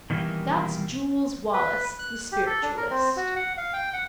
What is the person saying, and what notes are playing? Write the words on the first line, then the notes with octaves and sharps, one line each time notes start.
"That's Jules Wallace, the spiritualist."
B2 D#3 E3 G3 A3 A#3
B4
F#6
G4
A4
D4
A#4
C4
F#4
F#5
F5
G5
F#5